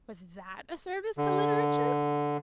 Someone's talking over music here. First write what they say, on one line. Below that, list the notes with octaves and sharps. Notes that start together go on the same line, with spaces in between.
Was that a service to literature?
D3